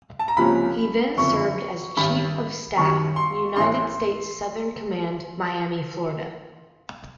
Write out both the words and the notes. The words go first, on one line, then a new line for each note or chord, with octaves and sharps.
He then served as Chief of Staff, United States Southern Command, Miami, Florida.
A5
A#5
C#2 C3 F3 A#3 C#4 B5
F#1 F2 D3 C#6
A1 G2 D#3 B5
F#2 D#3 G3 C#6
C6
A1 A2 E3 A3 C6